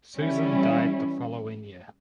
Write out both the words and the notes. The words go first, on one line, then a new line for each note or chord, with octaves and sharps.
Susan died the following year.
E3 G3 C#4 E4